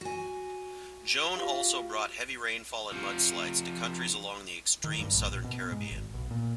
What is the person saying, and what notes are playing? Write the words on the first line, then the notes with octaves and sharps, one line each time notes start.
Joan also brought heavy rainfall and mudslides to countries along the extreme southern Caribbean.
F#4 G#5
F4 G4 F5
C3 F3
D#3
G2
A#1
A#1
B2
G#2
G#1
B1
A#2